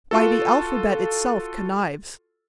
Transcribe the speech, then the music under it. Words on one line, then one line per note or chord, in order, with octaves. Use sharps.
Why, the alphabet itself connives.
F4 F#4 A4